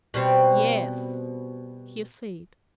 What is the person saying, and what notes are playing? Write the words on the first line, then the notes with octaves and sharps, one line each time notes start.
"Yes," he said.
B2 G3 C4